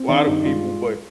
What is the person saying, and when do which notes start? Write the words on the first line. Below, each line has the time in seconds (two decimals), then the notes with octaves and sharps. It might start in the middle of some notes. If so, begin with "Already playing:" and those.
lotta people but
Already playing: C4
0.08 D#3 D4 D5
0.26 G2 D#4
0.45 G#3 F4